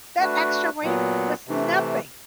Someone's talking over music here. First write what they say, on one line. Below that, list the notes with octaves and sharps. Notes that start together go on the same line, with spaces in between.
that extra weight was nothing.
A3 D4 F#4 B4
A#2 F#3 B3
C3 E3 A3